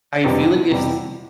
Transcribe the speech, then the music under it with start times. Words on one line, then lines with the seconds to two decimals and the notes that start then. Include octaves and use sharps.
I feel like if s
0.24 F2 C3 E3 G3 B3
0.70 F2 C3 E3 G3 B3